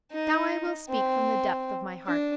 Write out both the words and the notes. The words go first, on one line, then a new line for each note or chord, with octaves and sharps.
But now I will speak from the depth of my heart.
D#4
C4
D4